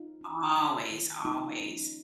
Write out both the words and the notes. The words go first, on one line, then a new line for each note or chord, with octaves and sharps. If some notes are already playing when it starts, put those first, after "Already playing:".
Always, always.
Already playing: D#4 F4
C#4
F#3
D#3
A#3 D#4 F4
C#4